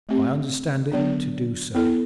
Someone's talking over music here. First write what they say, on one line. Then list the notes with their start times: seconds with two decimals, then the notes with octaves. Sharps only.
"I understand it to do so."
0.09 A3 C4 G4
0.92 D3 F#3 B3 D4
1.75 B3 E4 A4